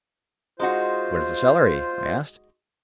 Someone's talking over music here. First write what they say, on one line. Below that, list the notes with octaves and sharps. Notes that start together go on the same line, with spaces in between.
"What is the salary?" I asked.
G#3 D#4 F4 F#4 C5